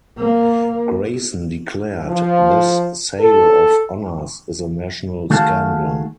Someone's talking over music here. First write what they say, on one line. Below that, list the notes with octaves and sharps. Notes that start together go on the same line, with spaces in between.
Grayson declared: This sale of honours is a national scandal.
A#3
F3
A4
D#3 A3 F#4 G#4 F5 A5